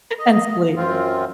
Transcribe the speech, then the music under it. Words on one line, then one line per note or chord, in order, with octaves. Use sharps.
"and sleep."
D#5
F#2 C4 F4